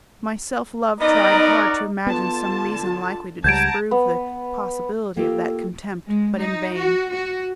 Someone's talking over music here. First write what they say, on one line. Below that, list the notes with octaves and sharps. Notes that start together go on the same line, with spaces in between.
My self-love tried hard to imagine some reason likely to disprove the possibility of that contempt, but in vain.
B3 D#4 F#4 A#4 D5 D#5
D3 B3 F4 A5
C#2 G3 F#5 A5 A#5 G6 G#6 D7
B3
A#3 F4 G4 A4
G#3
D#4
F#4
F#4